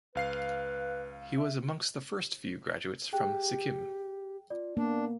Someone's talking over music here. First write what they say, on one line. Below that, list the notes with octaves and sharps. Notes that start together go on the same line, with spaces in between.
He was amongst the first few graduates from Sikkim.
C#2 B4 F5 C7
E5
G4 G#4 G5 F#6
F4 D5
A#3 B3 D4